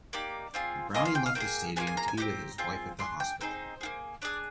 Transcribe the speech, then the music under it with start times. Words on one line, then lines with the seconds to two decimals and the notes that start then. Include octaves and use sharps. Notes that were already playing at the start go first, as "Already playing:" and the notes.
Browning left the stadium to be with his wife at the hospital.
0.13 A#3 D#4 G4 D5
0.54 C4 F4 G#4
0.95 A#3 F4 G#4 D#5
1.05 F5
1.15 G5
1.26 F5
1.35 A#3 F4 G5
1.40 G#4
1.76 A#3 D4 F4 G#4 G#5
1.87 G#5
1.97 A#5
2.08 G#5
2.17 C4 D#4 G4 A#5
2.58 C4 F4 G#4
2.99 D4 G#4 C6
3.20 G5
3.41 C4 D#4 G#4 C5
3.81 A#3 F4 G#4
4.22 D4 G#4 D5